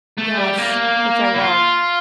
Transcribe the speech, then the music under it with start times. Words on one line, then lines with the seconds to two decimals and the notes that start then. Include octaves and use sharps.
Yes, which I loved.
0.18 A3
0.37 G3
0.58 A#3
1.34 E4
1.39 F4